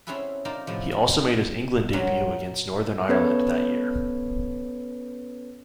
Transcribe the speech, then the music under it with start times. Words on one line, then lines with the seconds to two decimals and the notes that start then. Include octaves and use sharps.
He also made his England debut against Northern Ireland that year.
0.07 C4 C#4 E4 G#4 A4 B4
0.45 C4 D#4 F4 A#4 C5 D5
0.67 A2 C3 F3
1.93 F#2 A#2 F#3 C#4 A#4
3.09 B3 C#4 A4 B4 C#5 G#6